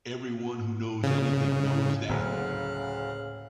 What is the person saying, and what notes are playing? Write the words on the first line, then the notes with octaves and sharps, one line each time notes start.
Everyone who knows anything knows that.
C#3
F#1 D2 A2 C#3 F5 F#5 F6